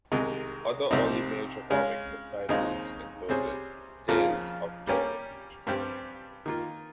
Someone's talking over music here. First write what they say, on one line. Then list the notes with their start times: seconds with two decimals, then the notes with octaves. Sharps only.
Other early major comic book titles included "Tales of Toad".
0.12 C2 C3 D#3 G#3 D#4
0.91 C2 C3 G3 C4 D#4
1.70 C#3 G#3 C#4
2.49 D#2 C#3 G#3 C4 D#4
3.29 C3 G3 C#4 G#4 C5
4.08 F2 C#3 F3 A#3 F4
4.87 G3 A#3 C#4 G4
5.67 G2 G3 C4 G4
6.46 D#3 A#3 F4